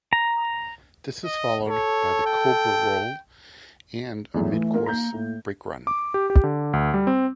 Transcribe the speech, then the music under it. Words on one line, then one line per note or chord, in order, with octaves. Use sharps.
This is followed by the cobra roll and a mid-course brake run.
A#5
D#5
A4 C#5
G5
E2 A2 F#3
E3 A3
A#3 F4 A#4
A#3 A#5 G6
A2 A#3
D6
G4
G4
D3
D2
G3
C4